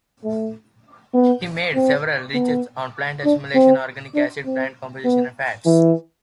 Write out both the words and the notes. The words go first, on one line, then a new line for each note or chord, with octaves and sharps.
He made several research on plant assimilation, organic acids, plant composition and fats.
A3
B3
C4
B3
D4
C4
D4
C4
B3
E3